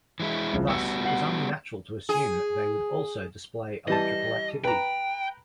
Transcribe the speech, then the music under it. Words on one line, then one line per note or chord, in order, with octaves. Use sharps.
Thus, it was only natural to assume that they would also display electrical activity.
E3 G#3 E4
C2 C#3 F3
G3 B3 F#4 E6 C#7
F#5 C7 F#7
G#4
E3 G3 D#5 A5
B4 G5 A#5